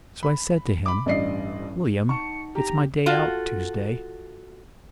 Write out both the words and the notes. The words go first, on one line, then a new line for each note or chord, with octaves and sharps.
So I said to him, 'Willyum, it's my day out, Tuesday.
B5
B5 D6
A1 G2 D5 D#5 C7
D#4 F#5 A5 C#6 C#7
G4 A#5
F4 F#4 A4